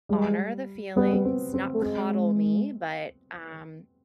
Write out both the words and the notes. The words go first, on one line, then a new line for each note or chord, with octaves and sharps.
honor the feelings, not coddle me. But, um,
G3 G#3
G3 B3
B3
C4
C4
A3
G#3 C4